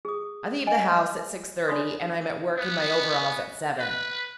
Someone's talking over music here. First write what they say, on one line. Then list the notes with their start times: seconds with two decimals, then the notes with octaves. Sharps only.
I leave the house at six-thirty, and I'm at work in my overalls at seven.
0.05 G#4 D#6
0.67 D#5 G#5
1.68 D4 C#5 D5 B5 C6 D#6
2.57 B3
3.79 B4